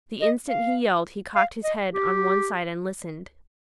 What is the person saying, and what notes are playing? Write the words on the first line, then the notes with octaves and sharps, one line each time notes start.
The instant he yelled he cocked his head on one side and listened.
D#5
F5
F5
D#5
G4